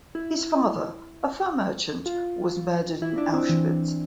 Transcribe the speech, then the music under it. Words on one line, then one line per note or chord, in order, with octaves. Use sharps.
His father, a fur merchant, was murdered in Auschwitz.
E4
F4
E4
D4
C4
E3